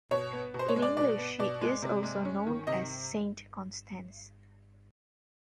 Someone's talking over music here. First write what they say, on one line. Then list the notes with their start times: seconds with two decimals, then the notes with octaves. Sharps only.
In English she is also known as Saint Constance.
0.11 B2 C#5
0.33 B3
0.54 B2
0.59 C5
0.68 C#5
0.76 G#3
0.82 D5
0.97 B2 D5
1.18 B3
1.39 B2 D5
1.61 G#3
1.82 C3
2.03 G#3
2.25 C#4
2.47 D#3
2.67 C3 D#5